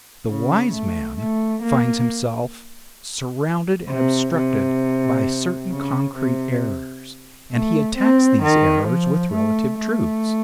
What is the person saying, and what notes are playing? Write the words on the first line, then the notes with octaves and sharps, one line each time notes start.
The wise man finds himself surrounded and obstructed by certain concrete errors, and he attacks these errors with relative truths.
C#3
A3
A3
A#3
C3
C3
C#3
C3
A3
C4
D#3
F3
A3
A3